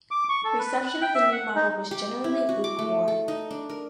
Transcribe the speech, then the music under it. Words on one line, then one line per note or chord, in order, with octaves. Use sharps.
Reception of the new model was generally lukewarm.
D6
C#6
A4
B4
F#6
G5
E5
F#5
D#4
G4
E4
F#4
D6
A3
A4
D#4
D4
A#4